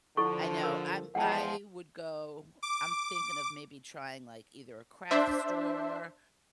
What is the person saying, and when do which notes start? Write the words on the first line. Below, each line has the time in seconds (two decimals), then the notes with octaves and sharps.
I know, I'm I would go I'm thinking of maybe trying, like, either a craft store
0.17 D3 F3 E4 A4 C#6
0.63 A#4
1.15 E2 F3 G#3 F#5 G5 A5
2.63 D6
5.11 D4 C5 E5